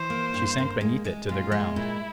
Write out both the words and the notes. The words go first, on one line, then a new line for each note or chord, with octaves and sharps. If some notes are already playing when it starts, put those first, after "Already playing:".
She sank beneath it, to the ground.
Already playing: E3 C5
A#3
G2
A#3
G#3
G#3
A#2 F4
G#3
A#2 E4